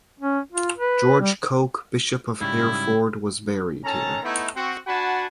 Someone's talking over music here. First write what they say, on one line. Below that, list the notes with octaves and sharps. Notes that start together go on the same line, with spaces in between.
George Coke, Bishop of Hereford, was buried here.
C#4
F4
B4
G3
G#2 C#3 G3 E4
D#3 C#4 A4 A5 A#5
A3 B3 D#4 E4
C4 F#4
D4 F#4 F#5 G#5 A5 B5